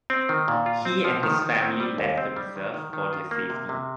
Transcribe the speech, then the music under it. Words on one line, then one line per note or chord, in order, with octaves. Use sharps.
He and his family left the reserve for their safety.
C4
D#3
A#2
F4
C4
F3
D#3
D#3
C4
G3
D#2
C4
G3
D#3
D#3
D#3
F4
A#3
C3
C3